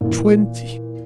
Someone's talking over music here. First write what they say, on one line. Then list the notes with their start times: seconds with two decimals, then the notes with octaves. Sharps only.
At twenty!
0.01 A#2 E3